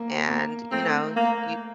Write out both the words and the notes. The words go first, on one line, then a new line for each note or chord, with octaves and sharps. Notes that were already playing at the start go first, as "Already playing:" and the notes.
and, you know, y
Already playing: A#3
A#3
A3 C4
A#3